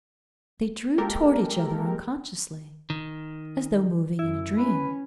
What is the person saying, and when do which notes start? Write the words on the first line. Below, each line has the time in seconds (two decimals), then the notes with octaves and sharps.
They drew toward each other unconsciously, as though moving in a dream.
0.98 G#3 A#3 G4 A4 A#4
2.90 D#3
4.19 F#2 E4
4.58 C#4 B4